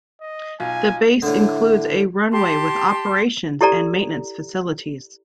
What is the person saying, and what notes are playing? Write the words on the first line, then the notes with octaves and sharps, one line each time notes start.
The base includes a runway with operations and maintenance facilities.
D#5
B1 F4 G#5
A2 D3
G4 A5 C6
E4 G4 A4 D5 A#5